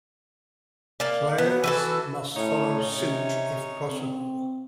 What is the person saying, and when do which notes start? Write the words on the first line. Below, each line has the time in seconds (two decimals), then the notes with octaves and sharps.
Players must follow suit if possible.
1.00 A#3 D5
1.38 B3 B4
1.64 E3 F#4 A4
2.36 A2 C#4 D#4 C#5
2.97 C3
3.89 C4